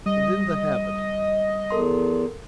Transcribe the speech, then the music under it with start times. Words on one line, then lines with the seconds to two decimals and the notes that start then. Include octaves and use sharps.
And then the habit!
0.06 G3 D#5
1.71 E2 A4 A#4 C6